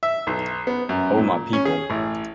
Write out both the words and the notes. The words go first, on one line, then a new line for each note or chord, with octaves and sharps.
O my people!
E5
B1
B3
F#2
A#2
C#4
G#4
A1